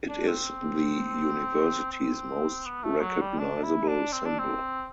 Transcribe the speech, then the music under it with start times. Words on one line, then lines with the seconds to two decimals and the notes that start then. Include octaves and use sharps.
It is the university's most recognizable symbol.
0.09 D4
0.28 C4
1.92 C4
2.65 B3
2.83 A3
3.02 F#3
3.21 G3
3.39 D4
3.64 E4
3.88 D4
4.12 C4
4.26 D4
4.39 C4